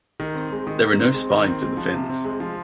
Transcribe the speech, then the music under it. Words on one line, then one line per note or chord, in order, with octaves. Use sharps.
There are no spines in the fins.
D#3
C4
G#3
D#3
D#3
C4
G#3
D#3
C4
G#3
F3
C3
C4
G#3
F3